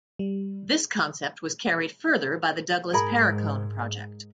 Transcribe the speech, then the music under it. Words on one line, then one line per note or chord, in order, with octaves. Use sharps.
This concept was carried further by the Douglas Paracone project.
G3
G#2 G#4 A#4 B5